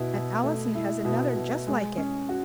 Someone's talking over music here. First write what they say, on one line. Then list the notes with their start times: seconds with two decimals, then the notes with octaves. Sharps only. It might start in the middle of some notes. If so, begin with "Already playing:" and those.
And Allison has another just like it.
Already playing: B2 E4
0.13 B2
0.44 A3
0.75 E4
1.05 B2
1.36 B2
1.67 G#3
1.97 C#4
2.29 F#4